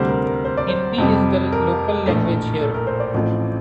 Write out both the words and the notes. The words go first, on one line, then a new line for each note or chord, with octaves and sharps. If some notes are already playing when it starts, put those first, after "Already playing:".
Hindi is the Local Language here.
Already playing: D2 C3 G3 C5
A#4
A#4
C5
D5
C5
F2 C3 G3
A#4
A#1 A2 A3
A4
A#4
C5
D5
A1 A2 F3 C4